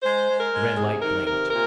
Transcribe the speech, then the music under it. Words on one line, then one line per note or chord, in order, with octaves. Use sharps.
The red light blinked.
G#3 C5
G#3
A#4
G#3
C3 G#4
D#3 A#4
C3 A#4
A#2 A#4